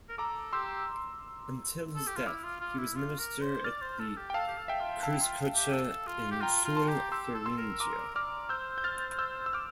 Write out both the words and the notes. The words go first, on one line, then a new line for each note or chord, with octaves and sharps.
Until his death he was minister at the Kreuzkirche in Suhl, Thuringia.
A#4
A4 A#5 D6
G4 C6 E6
A4
G4
F4
E4 D6 F6
F4
F4
E4
F4
A#4
C5
D5 F6 A6
C5
A4
G4
G5
A4 F5 A5
G4
A4
E5 G5
F4
E4 F5 A5
F4
G4
A4
F4
G4
F4 G5 A#5
F4
A5 C6
G4
G4 C6 E6
A4
C6 E6
A#4
A#4 A#5 D6
D5 D6 F6
C5 E6 G6
G6
F6 A6
E6 G6
E6
D6 F6